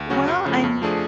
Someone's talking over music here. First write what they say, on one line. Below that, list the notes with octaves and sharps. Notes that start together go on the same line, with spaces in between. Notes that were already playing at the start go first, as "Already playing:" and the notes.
Well, I'm
Already playing: D2
C#3 F#3 C#4 F#4
F#2
C#3 F3 A3
F2
F3 A3 D4 G#4